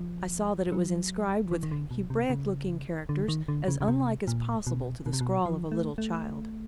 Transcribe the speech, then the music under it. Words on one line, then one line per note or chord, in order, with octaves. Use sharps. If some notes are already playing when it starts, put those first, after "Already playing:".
I saw that it was inscribed with Hebraic-looking characters as unlike as possible to the scrawl of a little child.
Already playing: F3
F#3
E3
D#3
D3
B2
C3
C#3
D3
D#3
D3
C#3
C#3
C3
A#2
B2
B2
C3
B2
F3
A3
A3